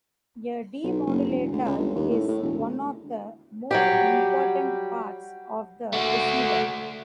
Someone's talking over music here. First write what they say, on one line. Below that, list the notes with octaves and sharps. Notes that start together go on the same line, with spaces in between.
A demodulator is one of the most important parts of the receiver.
B1
F#1
E1
D2
C#2
G1
D#2
A2
A2
E1
D2
F#3 G3 G4
A3 F#4